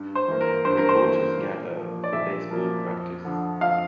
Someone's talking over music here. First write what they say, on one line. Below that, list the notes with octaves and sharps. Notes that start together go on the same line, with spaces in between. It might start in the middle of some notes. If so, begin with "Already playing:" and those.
Reporters gather for baseball practice.
Already playing: G2
C5
E3 A#3
A#4
G2 C5
A#4
C5
E3 A#3
A#2
F3 A#3
D5
A#2 E5
F3 A#3
F2
D3 F3
F2 F5